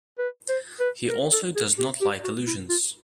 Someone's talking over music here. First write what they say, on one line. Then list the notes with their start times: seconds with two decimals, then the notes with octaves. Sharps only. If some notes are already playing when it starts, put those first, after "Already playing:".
He also does not like illusions.
0.18 B4
0.49 C5
0.80 B4
1.10 A#4
1.32 A4
1.55 G#4
1.78 G4
2.01 G4
2.24 F#4
2.47 E4
2.69 F4